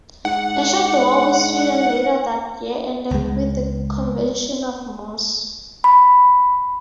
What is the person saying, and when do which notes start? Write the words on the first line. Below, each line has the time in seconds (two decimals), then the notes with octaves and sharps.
A short war with Sweden later that year ended with the Convention of Moss.
0.25 G#2 F#5
3.11 C#2 G#3
5.84 B5